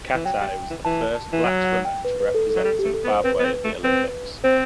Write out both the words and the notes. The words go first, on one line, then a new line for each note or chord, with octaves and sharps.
Katai was the first black swimmer to represent Zimbabwe at the Olympics.
E3
F#3 G5
G3
E3
E3 A5
A5
E3
F#3
F#5
G5
B4
B4
A4
A4
F#3
G3 A4
G4
A3
A4
B3
C5
C4 B4
B3
C4
A3
C4 B4
C4 C5